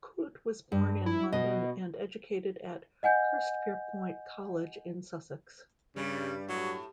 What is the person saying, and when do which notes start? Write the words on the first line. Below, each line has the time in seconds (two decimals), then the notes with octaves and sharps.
Coote was born in London and educated at Hurstpierpoint College in Sussex.
0.72 G2
1.06 E4
1.33 B2 D#5
3.03 D#5 F#5 G#5 G6
5.96 G2 C#3 G3
6.49 A2 F#3